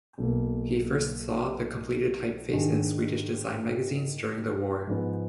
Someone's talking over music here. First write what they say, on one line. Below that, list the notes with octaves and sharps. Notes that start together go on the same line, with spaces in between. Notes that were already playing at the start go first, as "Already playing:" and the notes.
He first saw the completed typeface in Swedish design magazines during the war.
B1 B2 A#3
G#2 D#3 G#3 D4 G#4
G#2 F3 G#3 B3